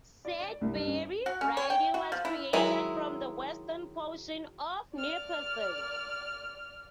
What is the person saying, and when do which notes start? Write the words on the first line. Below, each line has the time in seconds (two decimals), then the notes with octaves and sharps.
Sudbury riding was created from the western portion of Nipissing.
0.25 D5
0.40 D5
0.61 C2
0.74 G2
0.87 C#4
1.26 F#4
1.41 C#4
1.57 C#5
1.70 G5
1.94 F#4
2.12 F3
2.25 E4
2.53 D#3 F#3 G#3 E4
4.94 D5 F6